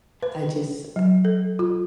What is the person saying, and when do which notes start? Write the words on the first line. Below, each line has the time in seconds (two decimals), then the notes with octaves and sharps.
I just
0.23 B4
0.96 F#3
1.25 A4
1.59 F4